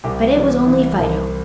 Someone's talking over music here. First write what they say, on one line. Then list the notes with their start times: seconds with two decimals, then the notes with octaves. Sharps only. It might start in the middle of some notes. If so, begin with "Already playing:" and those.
But it was only Fido.
0.04 C2 G4
0.35 E3
0.66 E3
0.99 C2